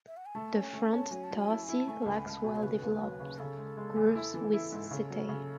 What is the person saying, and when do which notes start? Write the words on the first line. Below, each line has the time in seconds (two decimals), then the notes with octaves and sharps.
The front tarsi lacks well developed grooves with setae.
0.07 E5
0.17 F#5
0.26 G#5
0.35 A3 A5
0.54 C#4
0.61 G#5
0.73 A3
0.86 A5
0.93 C#4
1.11 F#3 G#5
1.24 A5
1.31 F#3
1.37 G#5
1.50 E4 A5
1.64 E4 G#5
1.76 A5
1.87 A3 G#5
2.03 C#2 A5
2.15 G#5
2.26 C#2 A5
2.41 B2 G#5
2.56 C#5
2.62 C#3 B4
2.82 D#2
3.01 F#3
3.20 C#3
3.39 C#3 A4
3.57 G#3
3.77 G#3
3.96 E2
4.15 E4
4.34 E3
4.53 E4
4.72 G#2
4.91 C#3 A4
5.10 F#3
5.28 C#3